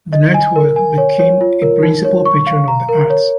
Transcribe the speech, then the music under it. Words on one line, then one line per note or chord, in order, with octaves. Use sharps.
The network became a principal patron of the arts.
D#5
G#5
A#4
G#5
C#5
C#5
F4
A#4
D#4
C#5
C#6
F5
A#5
A#4
C#5